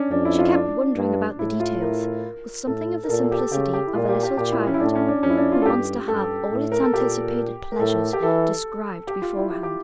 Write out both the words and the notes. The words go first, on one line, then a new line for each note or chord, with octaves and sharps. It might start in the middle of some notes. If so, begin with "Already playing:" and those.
She kept wondering about the details, with something of the simplicity of a little child, who wants to have all its anticipated pleasures described beforehand.
Already playing: C#4 D4
F2 D4
E4
F4
E4
D4
G2
A2 E4
F4
A#4
A2 A4
A#4
A#2 A4
A4
G4
A4
C#3 G4
G4
E4
A#2 F4
G4
G4
A#2 G4
E4
C#4
E4
A2 D4
C#4
D4
F2 C#4
E4
D4
F4
A4
G2 G4
G2 A4
A2
A#4
A4
A#2 G4
A#4
A2 A4
G4
E3 A4
G4
F4
E4
G4
G4